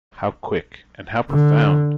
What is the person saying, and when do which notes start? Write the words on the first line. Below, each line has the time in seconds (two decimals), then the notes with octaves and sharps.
How quick, and how profound!
1.31 D3